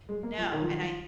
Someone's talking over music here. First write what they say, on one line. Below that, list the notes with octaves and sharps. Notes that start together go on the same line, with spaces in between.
No, and I
G#3
A#3
F3
D#3
F3
D#3
F3